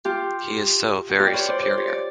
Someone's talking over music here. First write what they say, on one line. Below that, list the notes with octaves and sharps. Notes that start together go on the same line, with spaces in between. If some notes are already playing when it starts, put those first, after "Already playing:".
He is so very superior.
F4 G4
F#4
F4 G4
D5
B4 C#5
C5 D5
C5 D5
C#5
D5